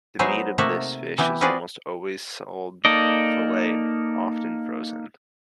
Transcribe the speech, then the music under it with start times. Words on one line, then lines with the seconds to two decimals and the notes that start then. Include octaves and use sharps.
The meat of this fish is almost always sold filleted, often frozen.
0.19 F#3 B3 D#4 G#4 C5 E5
0.58 C3 A3 A#3 D#4 E5 F#5
1.18 E3 B3 E4 G4
1.41 C4 F4 F#4 G#4 B4 D5
2.85 A#3 D#4 A4 D5 D#5